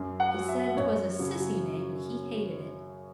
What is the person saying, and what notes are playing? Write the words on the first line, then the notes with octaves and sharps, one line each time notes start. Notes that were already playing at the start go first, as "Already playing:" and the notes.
He said 'twas a sissy name, and he hated it.
Already playing: F#2
F#5
F#3
E5
F#2 C#5
C#3 F#3